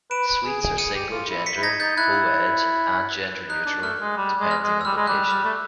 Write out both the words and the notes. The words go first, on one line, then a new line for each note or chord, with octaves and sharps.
Suites are single gender, co-ed and gender neutral, depending on location.
B4 D7 E7
B4
G#4
G#4
G#4 C#7 D#7
G4
F4
E4
B6 C#7
E4
D#4 G#6 A#6
D#4 G6 A6
E4 F#6 G#6
D#4 F#6
D4
A3 F6
G#3
G3
G#3
F6
G#3
E6
G3 F6
G#3
G3 F#6
G3 F6
A3